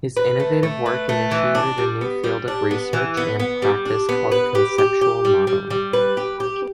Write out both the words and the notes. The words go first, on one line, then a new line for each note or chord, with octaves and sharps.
His innovative work initiated a new field of research and practice called Conceptual Modeling.
B4
A3
A3
B4
A3
E3
D4
G3
B3
G3
D4
B3
E3
B3
B3
G3
D4
B3
B4
G4
G4
G4
G3
G3
G3
B4
G4
G4